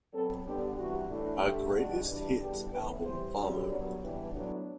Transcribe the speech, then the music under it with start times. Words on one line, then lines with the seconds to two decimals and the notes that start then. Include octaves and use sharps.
A "Greatest Hits" album followed.
0.13 B2 F#3 C4 A4
0.46 D3 G3 B3 D4 G4
0.78 C3 E3 G3 F#4
1.10 A2 E3 A3 D4
1.42 D3 A3 D4 G4
1.75 E2 B2 G3 D4 F#4
2.07 G2 E3 G3 D4
2.40 E2 D3 G3 B3 D4 G4
2.72 A2 E3 B3 B4
3.04 C3 E3 G3 C5
3.37 F#2 D3 G3
3.68 G2 F#3 B3 D5
4.02 G2 E3 G3 B3 D4 G4
4.34 A2 F#3 B3 D4